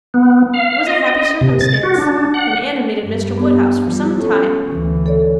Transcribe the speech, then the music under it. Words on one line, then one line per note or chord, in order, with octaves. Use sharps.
It was a happy circumstance, and animated Mr. Woodhouse for some time.
B3
F5
D#5
C3
A6
F#4
D4
F#5
G2 G3
B3 D4 G4
F3 G3
C#4 A4
D2 E3
A4 C#5 D5